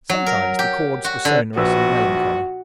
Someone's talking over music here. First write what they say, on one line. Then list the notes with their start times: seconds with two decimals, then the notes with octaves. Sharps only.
Sometimes the chords were sonorous and melancholy.
0.10 F#3
0.26 A#4
0.59 G4
1.04 F#4
1.25 D3
1.57 A#1 F#4 B4 E6